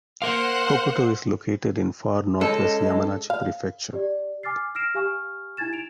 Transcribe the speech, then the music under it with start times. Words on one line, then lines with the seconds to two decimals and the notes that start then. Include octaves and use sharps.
Hokuto is located in far northwest Yamanashi Prefecture.
0.22 A#4 C5 F5 F#5
2.41 G#3 C#4 A4 D#5
3.30 F5
3.93 G4 D5
4.43 G#5 D6 F6 A6 C7
4.75 E6 F6 A#6 C7 D7 E7
4.95 G4 F5 G#5 C#6 F6
5.57 D#4 E4 G#5 G#6 A6 E7
5.73 D7 F7